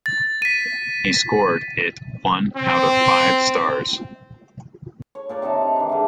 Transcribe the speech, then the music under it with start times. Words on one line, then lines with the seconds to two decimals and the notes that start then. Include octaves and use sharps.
He scored it one out of five stars.
0.06 A6
0.42 B6 D#7
2.56 C4
5.15 C#5
5.29 A#2 A#4 D5
5.42 C3 D#3 D#4 A5
5.61 A#5
5.76 E3 D4
5.89 G#2 D3